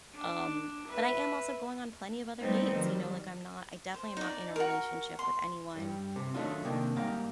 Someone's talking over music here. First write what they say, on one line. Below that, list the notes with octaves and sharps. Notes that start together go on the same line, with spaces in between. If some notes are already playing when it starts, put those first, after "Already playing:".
Um, but I am also going on plenty of other dates, you know, like, I'm not I definitely am not in a relationship with anyone,
D4
B4 E5
G3 A3 B3 C4 D#4
D#3 F#3 G3
C5
D#4 D5
F#4 A#4
C6
G2 G3
C3
D#3 F#3 A3 D4 D#4 F4
C3 D#3 A#3 C4 D4
G#2 G3 A#3 G4 F5 A#5